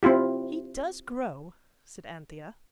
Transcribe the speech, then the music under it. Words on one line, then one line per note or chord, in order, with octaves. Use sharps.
'He does grow,' said Anthea.
C4 E4 F4 G4